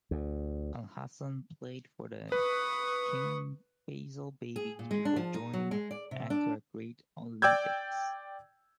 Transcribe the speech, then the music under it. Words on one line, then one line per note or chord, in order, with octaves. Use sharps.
Alhassan played for then King Faisal Babies before joining Accra Great Olympics.
D2
B4 C#6 D#6
G#4
A#2
G#3
D4
F3
D#4
F#3
G#3
D5
C3
D4
D5 G5 D6 E6 G6 G#6